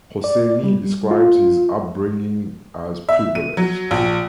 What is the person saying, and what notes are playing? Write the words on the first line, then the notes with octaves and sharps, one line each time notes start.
Hosseini describes his upbringing as privileged.
D5
G3
F4
E5
D#7
F#3
A#1